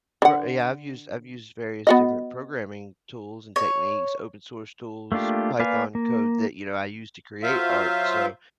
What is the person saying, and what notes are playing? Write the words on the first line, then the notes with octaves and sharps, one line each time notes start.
Per a I've used I've used various different programming tools and techniques, open source tools, Python code that, you know, I use to create art, so,
D3 F#5
B3 F#4 D#5
C#5
A3 A#3 D4 F4 G4
A#3 B4 D5 F5 G#5
A#3
F#3 F4 C5 E5 F5